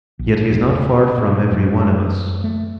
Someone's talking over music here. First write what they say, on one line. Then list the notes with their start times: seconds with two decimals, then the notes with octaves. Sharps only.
Yet He is not far from every one of us.
0.19 A#1
0.51 E1
1.18 A#2
1.52 F#2
2.44 A3